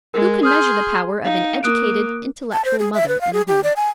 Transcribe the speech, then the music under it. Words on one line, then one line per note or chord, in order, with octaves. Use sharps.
Who can measure the power of an educated, intellectual mother in a home?
G#3 A#4
G#4 C6 D#6 F6 G6
D#4 F5
A#3 D#6 F#6 D7
A5
C5
G#4
E5
B4
F5
G#4
G4
D5
G#5